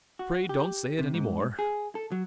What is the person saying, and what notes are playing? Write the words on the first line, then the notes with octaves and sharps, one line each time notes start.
"Pray don't say it any more."
F#4
G4
C3
G#2
G#4
A4
F#3